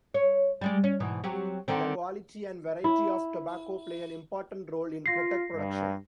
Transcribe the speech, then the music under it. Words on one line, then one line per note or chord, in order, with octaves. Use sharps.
The quality and variety of tobacco play an important role in kretek production.
C#5
G3 G#3 D5
C#4
G#2 B2 E3
F#3 C4 G4
D3 D#3 C4
E4
F4 A#6 C7
G2